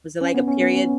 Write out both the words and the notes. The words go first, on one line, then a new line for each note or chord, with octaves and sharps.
Was it like a period
C#4
B3
C#4
B3
C#4